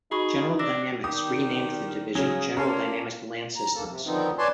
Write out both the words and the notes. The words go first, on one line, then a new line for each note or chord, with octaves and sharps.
General Dynamics renamed the division "General Dynamics Land Systems".
D#4 F#4 G#4 B5 C#6
D4 D6 E6 A#6
D#3 G3 B3 G4 D#6
C#3 F#3 G#4
A#3 C#4 A4 A#4 D5 F5 C6
A#5
E2 G#2 A#3 A4
C3
D3 D#3 F3 B3 C4 D#4
B4 C#5 D5 G#5 A5 C6